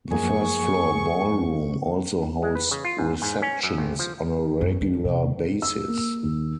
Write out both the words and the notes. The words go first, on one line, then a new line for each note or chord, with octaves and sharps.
The first floor ballroom also holds receptions on a regular basis.
F#2 F3 A#3 G#4 C#6
G#3
B4
C#3
F4
G#2
G#2
C#4
F#2
G#1
F3
F#2
D3
C3
E6
A#3
D#2